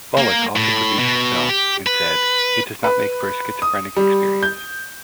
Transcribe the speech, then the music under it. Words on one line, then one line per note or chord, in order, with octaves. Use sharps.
Bullock also produced the film, and said, It does make for a schizophrenic experience.
A#3
A2
B2
G4
B4
B4
D#6
G3
G6